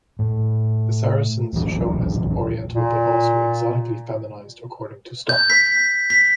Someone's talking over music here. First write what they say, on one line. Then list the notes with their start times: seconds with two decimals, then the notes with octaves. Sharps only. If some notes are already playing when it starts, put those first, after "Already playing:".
The Saracens shown as oriental but also "exotically feminized" according to Stock.
0.19 A2
1.53 D1 A#1 E2 F#3
2.73 A#2
5.29 G6
5.50 B6
6.10 B6